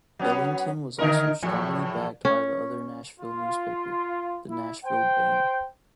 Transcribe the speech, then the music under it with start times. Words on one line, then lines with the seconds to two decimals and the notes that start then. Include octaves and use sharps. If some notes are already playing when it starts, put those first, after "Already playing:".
Ellington was also strongly backed by the other Nashville newspaper, the "Nashville Banner".
0.19 F#3 B3 C#4
0.99 D3 D#4 A#4
1.42 E2 A2 F3
2.25 C#4
3.20 F4
4.49 E4
4.85 C5 G5